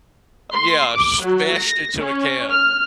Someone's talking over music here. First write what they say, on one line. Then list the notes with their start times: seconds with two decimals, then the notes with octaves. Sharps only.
yeah, smashed into a can.
0.52 C6
0.91 D6
1.22 F#3
1.55 A#6
1.99 C#4
2.51 F6